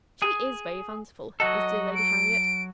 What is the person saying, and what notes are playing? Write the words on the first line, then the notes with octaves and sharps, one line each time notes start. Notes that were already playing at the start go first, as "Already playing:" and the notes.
She is very fanciful, is dear Lady Harriet!
G#4
F#3 F#4 A4 D#5
D7